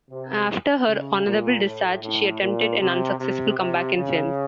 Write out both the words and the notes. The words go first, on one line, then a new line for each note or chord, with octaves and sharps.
After her honorable discharge she attempted an unsuccessful comeback in films.
C3
C#3
A#2
A2
A2
A#2
C3
C3
C3
C#3